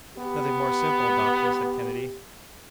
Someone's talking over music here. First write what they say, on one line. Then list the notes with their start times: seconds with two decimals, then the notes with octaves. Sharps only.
"Nothing more simple, doctor," said Kennedy.
0.18 B3 G4